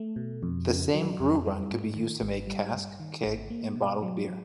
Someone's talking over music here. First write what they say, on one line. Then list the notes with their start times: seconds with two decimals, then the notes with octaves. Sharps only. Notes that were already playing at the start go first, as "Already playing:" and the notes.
The same brew run could be used to make cask, keg, and bottled beer.
Already playing: A3
0.16 B2
0.43 F2
0.68 C#3
0.94 F#3
1.20 F2
1.46 G3
1.71 G#2
1.96 D#3
2.22 G#1
2.47 G3
2.74 G2
3.00 D#3
3.25 G#1
3.50 A#3
3.76 B2
4.02 F#3